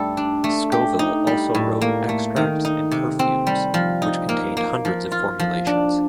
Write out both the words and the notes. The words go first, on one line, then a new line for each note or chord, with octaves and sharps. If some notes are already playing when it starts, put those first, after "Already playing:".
Scoville also wrote "Extracts and Perfumes", which contained hundreds of formulations.
Already playing: G2 G3 A3 A4
D4
A3
G4
D#4
G3
A2
A#3
A3
D#3
D#4
C3
C4
G3
F3
D#4
A#3
A#3
F3
F4
F3
D4